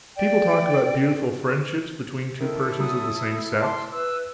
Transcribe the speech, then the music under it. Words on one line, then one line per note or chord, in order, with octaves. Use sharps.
People talk about beautiful friendships between two persons of the same sex.
D5 G5
D#3 E4 A4
F#3 D#6
E5 A5 C6 D6
B4 E6